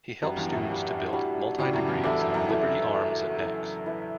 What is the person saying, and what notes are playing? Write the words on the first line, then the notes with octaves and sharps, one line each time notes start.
He helped students to build multi-degrees of liberty arms and necks.
F#2 G3 D4 F#4
E2 G2
F#2 A2
G3 D4 F#4
G3 D4 F#4
A2 C#3 G3 D4 F#4
F#2 A2
E2 G2
E2 G2 E4 A4 D5
F#2
F#2
F#2 E4 A4 D5
E4 A4 D5
E4 A4 D5
E4 B4 E5